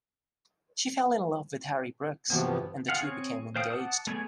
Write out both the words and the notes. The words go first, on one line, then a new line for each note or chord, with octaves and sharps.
She fell in love with Harry Brookes, and the two became engaged.
G2 C3 E3 F3 A#3 B3 F#4 C#5
F4 G#4 F5 F#5
C4 G#4 C#5
C5 F5 G5 D#6
F#5 A5 D6 D#6
A3 B3 G#4 D5 G#5